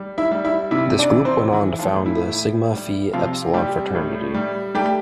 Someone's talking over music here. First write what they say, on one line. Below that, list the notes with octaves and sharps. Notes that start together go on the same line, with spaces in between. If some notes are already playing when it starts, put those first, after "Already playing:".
This group went on to found the Sigma Phi Epsilon fraternity.
Already playing: G3
E4 E5
G3
E4 E5
C3 E4 E5
D4 D5
E3
C4 C5
E3
F3 F4
A2
E4
A2
G3
C3 F3 F4
G3 G4
A2
G3
G3 A3 G4